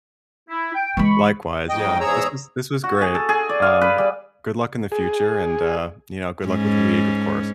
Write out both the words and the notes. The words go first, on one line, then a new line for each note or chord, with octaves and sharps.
Likewise, yeah. This was this was great, um, good luck in the future, and, uh, you know, good luck with League, of course.
E4
G5
E3 G#3 B5 C#6
F2 G#2 D#5 G5
E2 G#2 G#4 C#5 A#5 E6
F#4
G#4
A4
G#4
D5
F5
B4
G3
G#4
G#2 C#4